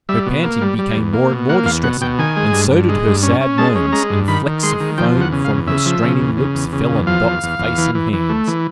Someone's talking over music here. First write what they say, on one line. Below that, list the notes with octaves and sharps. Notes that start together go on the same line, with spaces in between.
Her panting became more and more distressing, and so did her sad moans; and flecks of foam from her straining lips fell on Dot's face and hands.
G3 E5
B2
A#3
G3
G3
E2
A#3
B2
A#3 F#5
E2 F5
B2 F#5
B2 G5
D#3 G#5
G#3
G2
G2
G#3
G2
C#4
C#4
G#3 A5
C#4
G#3 A#5
G2
D#3 B5
D#3
G#3 C6
D#3
F3 G5
E2
F#5
C#3
F5
E2
C#3 E5
F3
C#3
E2
C#3
E2
C#3
E2
F3 F5
E2
E2
E2
E3
E3
E3
A3
E3